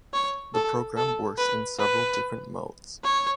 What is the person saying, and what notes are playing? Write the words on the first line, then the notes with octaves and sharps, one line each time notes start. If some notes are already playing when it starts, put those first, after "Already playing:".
The program works in several different modes.
C#5
A4
A4
B4
B4
C#5